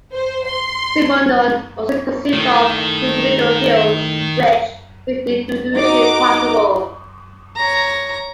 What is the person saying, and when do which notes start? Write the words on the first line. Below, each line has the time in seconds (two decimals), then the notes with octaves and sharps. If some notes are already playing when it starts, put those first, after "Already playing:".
Simondon also conceived of "pre-individual fields" which make individuation possible.
0.14 C5
0.46 C6
2.33 A2 D#3
5.74 D#4 F#4 D#5 A#5 D6
7.56 C#5 A#5